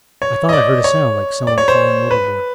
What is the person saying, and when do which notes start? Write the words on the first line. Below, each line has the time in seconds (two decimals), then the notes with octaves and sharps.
I thought I heard a sound like some one falling overboard.
0.22 C#5
0.49 D#5
0.53 D5
0.84 C#5
1.47 D5
1.58 C#5
1.68 C5
2.11 B4